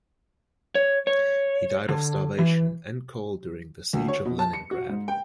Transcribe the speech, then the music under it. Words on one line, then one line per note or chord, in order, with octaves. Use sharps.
He died of starvation and cold during the Siege of Leningrad.
C#5
C#5
D3
E3
D2
C#5
B2
A5
C#7
F#4
G#2
G5